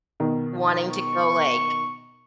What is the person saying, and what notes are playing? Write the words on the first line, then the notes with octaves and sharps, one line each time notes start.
wanting to go like
B2 D#3
C#6